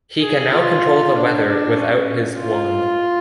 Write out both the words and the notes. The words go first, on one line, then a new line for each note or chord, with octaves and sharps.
He can now control the weather without his wand.
G#4
F4
D4
D4
C#4
F4